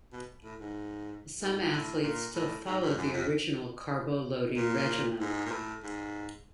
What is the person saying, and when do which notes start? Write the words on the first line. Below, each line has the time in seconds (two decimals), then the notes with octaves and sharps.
Some athletes still follow the original carbo-loading regimen.
0.13 B2
0.44 A2
0.61 G#2
1.40 G#2
1.72 A2
2.03 A#2
2.34 A2
2.67 G#2
2.83 G2
2.98 F#2
3.14 F2
4.56 A#2
5.20 G#2
5.46 A#2
5.52 A2
5.83 G#2